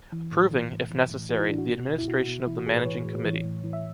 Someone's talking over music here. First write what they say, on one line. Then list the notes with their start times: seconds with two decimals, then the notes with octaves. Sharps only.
Approving, if necessary, the administration of the Managing Committee.
0.12 E3
0.32 A2
0.51 E3
0.71 A2
0.91 E3
1.10 A2
1.29 E3 F#4
1.39 E4
1.49 A2 D4
1.58 F#4
1.68 B2
1.88 B2
1.98 E4
2.07 B2 F#4
2.21 F#4
2.27 B2
2.46 E3 E4
2.57 F#4
2.66 A2 G#4
2.76 B4
2.85 E3 C#5
3.05 A2
3.25 E3
3.45 A2
3.64 E3
3.73 E5